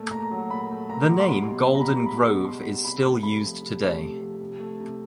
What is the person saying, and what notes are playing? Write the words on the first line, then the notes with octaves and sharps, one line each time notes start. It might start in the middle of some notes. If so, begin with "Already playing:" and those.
The name Golden Grove is still used today.
Already playing: A#2 A3
A#2 A#5
F#3
A#2 B5
A3
A#2 A#5
F#3
C6
G3 B5
B2
B2
A#5
B5
G3
G3 B5
B2
B2 C6
G3
C3 B5
A3
C3 B5
F3
C3
A3
C3
F3
C3
A3
C3